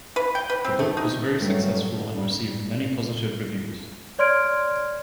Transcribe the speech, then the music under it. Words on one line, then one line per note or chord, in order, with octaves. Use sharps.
The book was very successful and received many positive reviews.
B4
G5
B4
C4
A3
D#4
G2 F#3 A3
D3
G3
C#5 D5 C6 F6 G#6 D7